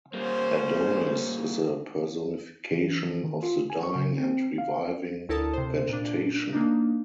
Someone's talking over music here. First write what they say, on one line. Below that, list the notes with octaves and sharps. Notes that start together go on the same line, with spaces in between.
Adonis is a personification of the dying and reviving vegetation.
G3 A#3 C#4 C5
E3
D#3
F4
G#5
C#6
C#3
C4
F5
D2 E4 A4 A#4 A5 D#6
C3 C5
A#2 D4
A#3 D4 D#4